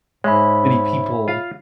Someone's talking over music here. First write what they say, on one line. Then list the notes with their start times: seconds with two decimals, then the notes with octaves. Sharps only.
many people
0.24 G#2 G#3 C#5 E5 B5
1.28 F4 F5